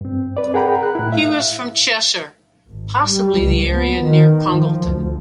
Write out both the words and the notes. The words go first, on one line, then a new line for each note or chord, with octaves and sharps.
He was from Cheshire, possibly the area near Congleton.
G2 C4
B4 D5
G#4 A#4 F#5 G5 A#5 B5
F#6
A2 E4
E5 F5
G#1
G3
C#2
B3
D#3
F3
D2